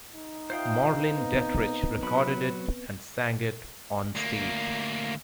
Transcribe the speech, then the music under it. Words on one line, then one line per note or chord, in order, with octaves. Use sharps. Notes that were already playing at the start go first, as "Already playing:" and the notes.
Marlene Dietrich recorded it and sang it on stage.
D#4
F4 C5 E5 F5 G5 D#6
B3 C4 B4
F#3 B5
D2 A#3